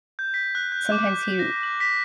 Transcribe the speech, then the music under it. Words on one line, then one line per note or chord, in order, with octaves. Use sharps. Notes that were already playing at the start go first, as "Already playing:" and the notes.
sometimes he
G6
B6
F#6
G6
D6
G6
A#6
F#7
B6